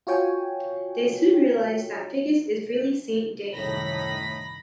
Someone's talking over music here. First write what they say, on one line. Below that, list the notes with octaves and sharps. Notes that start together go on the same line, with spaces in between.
They soon realize that Figgis is really Saint Dane.
F4 F#4 C#5 G5 G#5
C2 F#2 A2 D#3 D#4 B5 A#6 B6